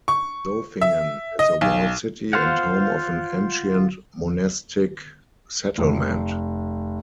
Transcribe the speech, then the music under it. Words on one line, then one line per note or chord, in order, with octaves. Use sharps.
Zofingen is a walled city and home of an ancient monastic settlement.
C#6
E5
D#5
B1
F4 C5 F5 F#5
F1